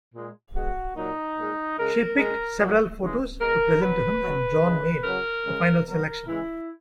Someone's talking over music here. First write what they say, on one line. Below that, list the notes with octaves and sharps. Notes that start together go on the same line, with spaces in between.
She picked several photos to present to him, and John made the final selection.
A#2 G#3
B2 G#3 F#4
A#2 F#3 D#4
A#2 G#3
C#3 G#3 A#4
A#2 G#3 A#4
A#2 F#3
C#3 E3 G#3
B2 G#3 A#4
B2 F#3 B4
B2 F#3
C#3 E3 G#3
C#3 F#3 A#4
C#3 G#3
B2 F#3 A#4
C#3 E3 G#3 E4